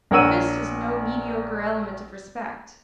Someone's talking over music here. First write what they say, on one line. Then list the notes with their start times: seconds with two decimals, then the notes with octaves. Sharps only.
The fist is no mediocre element of respect.
0.11 A#1 A#4 C#5 F#5 E6 D#7